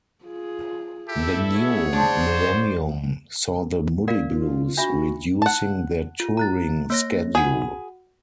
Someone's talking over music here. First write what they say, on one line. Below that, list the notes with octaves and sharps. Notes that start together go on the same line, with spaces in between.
The new millennium saw the Moody Blues reducing their touring schedule.
F4 G#4
E4 G4 A4 E5
G#4 C#5 F#5
D4 C5
A#4 D5 F5
F4
D4 F4 F#4 E5
F#5 A5
F4
A#5 F#6 A6
A#3 C#5 A#6
F#4 G#4 F#5